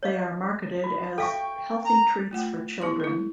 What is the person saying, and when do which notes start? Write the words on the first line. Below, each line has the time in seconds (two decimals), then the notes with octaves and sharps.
They are marketed as healthy treats for children.
0.03 C#5 D#5 F5
0.84 F#4
1.18 A4 E5 F5 G5 C#6
1.86 A#5
2.31 A3 F4 F#5 G5
2.81 B3 E4 G4 C6
3.00 E4 A4